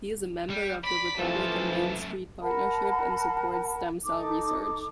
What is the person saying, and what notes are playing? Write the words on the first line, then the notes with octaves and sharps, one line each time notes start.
He is a member of the Republican Main Street Partnership and supports stem-cell research.
G3
D5 B5 B6
F#2 E3 F3 A3 A4
A#4 F#5 A5 B5
D#4 A4 D6